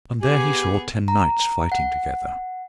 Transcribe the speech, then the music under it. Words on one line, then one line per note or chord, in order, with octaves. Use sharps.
And there he saw ten knights fighting together.
B3 G4 G#4 G#5
A#5
F#5